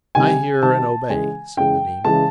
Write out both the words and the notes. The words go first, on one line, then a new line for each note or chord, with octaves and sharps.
"I hear and obey," said the Demon.
C3 D#3 G3 G#5
C3 D#3 G3 A5
C#3 E3 G#3 G#5
C#3 E3 G#3 G5
C#3 E3 G#3 A5